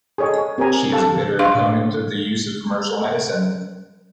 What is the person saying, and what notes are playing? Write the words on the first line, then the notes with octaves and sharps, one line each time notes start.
She is a bitter opponent of the use of commercial medicine.
G#4 A4 C#5 D#5 G#5
C#5
C4 G4 A#4 C#5 G#5 A#5
A4 F5 A5
D4 F5 C6